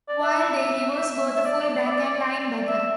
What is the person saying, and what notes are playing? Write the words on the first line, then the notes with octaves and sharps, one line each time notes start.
While there, he was both a fullback and linebacker.
D5
E5
E5
D5
D5
D5
E5
D5
D5
E5